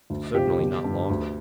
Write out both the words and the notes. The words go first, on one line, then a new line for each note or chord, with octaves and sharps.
"Certainly not longer."
D2
C3 F3 G4
G1
G2 D3
D2